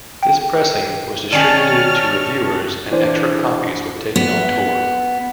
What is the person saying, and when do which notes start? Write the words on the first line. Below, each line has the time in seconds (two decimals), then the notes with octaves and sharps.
This pressing was distributed to reviewers and extra copies were taken on tour.
0.23 G5
1.32 D#3 C#4 D5 A5 C#6 F6 A6 F#7
2.91 E3 D4 C5
4.16 B3